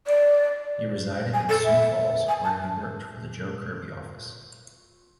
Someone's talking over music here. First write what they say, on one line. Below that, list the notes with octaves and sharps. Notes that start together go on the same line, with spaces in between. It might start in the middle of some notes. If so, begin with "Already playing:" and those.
He resided in Sioux Falls, where he worked for the Joe Kirby office.
D5
G#5
A4
E5
G#5
A5